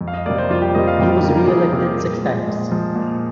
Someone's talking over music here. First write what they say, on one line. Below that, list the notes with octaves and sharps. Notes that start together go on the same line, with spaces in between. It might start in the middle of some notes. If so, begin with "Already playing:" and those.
He was reelected six times.
F2
F5
D#5
C3 G3 A#3 D5
C5
F2 F4
G4
C3 G3 A#3 D#5
F5
F2 G5
F5
C3 G3 A#3 A#4
A#4
F2 G#4
C3 G3 A#3
A#2
F3
G#3
A#2
F3 G#3
A#2